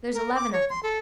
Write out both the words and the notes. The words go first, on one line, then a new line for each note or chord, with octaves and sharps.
There's eleven of them.
A#4
D6
C#5
C6
A4